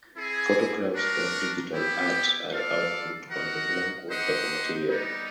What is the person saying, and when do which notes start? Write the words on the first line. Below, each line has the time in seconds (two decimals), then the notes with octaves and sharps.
Photographs or digital art are output onto blank wallpaper material.
0.15 C4 E4 G#4
0.93 D4 F#4 A#4
1.73 B3 E4 G4
2.51 F4 A4 D5 F5
3.30 F#4 A#4 D#5 F#5
4.09 D#4 G4 C5 D#5 F#5
4.88 G3 B3 D#4